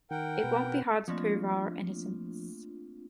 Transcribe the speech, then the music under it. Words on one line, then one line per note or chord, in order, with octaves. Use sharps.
It won’t be hard to prove our innocence.
D#3 A#4 F#5 G5
B2 B4
F3 A3 A#3 C4 D4 F4